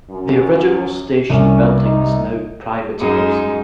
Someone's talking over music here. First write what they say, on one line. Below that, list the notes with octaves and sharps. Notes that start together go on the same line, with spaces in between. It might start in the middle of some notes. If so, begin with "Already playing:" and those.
The original station building is now private housing.
F#2
C2 C#4
D#4
F#2 F#3 G#3 D#4